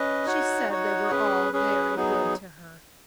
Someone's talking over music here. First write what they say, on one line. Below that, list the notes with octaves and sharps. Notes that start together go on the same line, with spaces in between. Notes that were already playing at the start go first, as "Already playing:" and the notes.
She said they were all very good to her.
Already playing: C#4 B4 D#5
D#4 F#4 C#5 F#5
D#4 F#4 C#5 F#5
C#4 G#4 B4
C#4 G#4 B4
F#3 B3 D#4 G#4